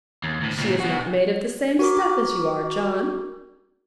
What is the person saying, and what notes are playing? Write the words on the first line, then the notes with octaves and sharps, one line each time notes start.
'She is not made of the same stuff as you are, John.
D#2
D2 A2
D2 A#2
B2 F#4
F#4 A#4 D6